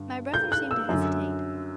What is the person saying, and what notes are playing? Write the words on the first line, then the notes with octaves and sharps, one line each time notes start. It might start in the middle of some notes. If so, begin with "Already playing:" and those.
My brother seemed to hesitate.
Already playing: G2 D3
G6
F#6
E6
F#2 D3